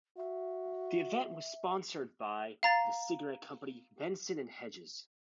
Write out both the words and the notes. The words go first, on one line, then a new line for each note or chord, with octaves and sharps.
The event was sponsored by the cigarette company Benson and Hedges.
F#4 E5
F5 A#5 A6